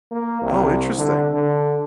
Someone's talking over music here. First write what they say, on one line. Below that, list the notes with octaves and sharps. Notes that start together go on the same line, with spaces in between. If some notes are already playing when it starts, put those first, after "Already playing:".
Oh, interesting.
A#3
C2
D3
D3